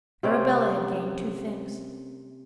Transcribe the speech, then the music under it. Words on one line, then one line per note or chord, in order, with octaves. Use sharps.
Arabella had gained two things.
C3 A#3 C4 C#4